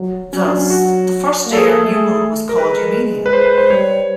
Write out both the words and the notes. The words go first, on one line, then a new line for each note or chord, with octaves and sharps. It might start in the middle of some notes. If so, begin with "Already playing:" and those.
Thus, the first day or new moon was called "Noumenia".
Already playing: F#3
F#3 C#4
D4
C#4
F#4
A#3
A4
G#4
A4
A3
A#4
G#3 B4
B4
G#3 C5
B4
C5
G3 C#5